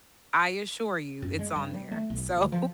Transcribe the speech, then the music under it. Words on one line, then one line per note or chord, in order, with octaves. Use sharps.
I assure you it's on there. So,
F#2
G#3
G2
G3
A3
B1
D2
F3